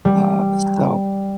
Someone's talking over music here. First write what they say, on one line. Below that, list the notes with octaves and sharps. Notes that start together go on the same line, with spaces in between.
uh, so
G3